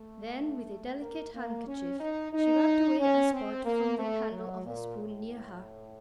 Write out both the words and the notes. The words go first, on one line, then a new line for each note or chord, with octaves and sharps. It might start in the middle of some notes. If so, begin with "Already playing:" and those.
Then with a delicate handkerchief she rubbed away a spot from the handle of a spoon near her.
Already playing: A3
A#3
A#3
C#4
D#4
D#4
C#4
C4
A#3
A3
F#3
A#2
A2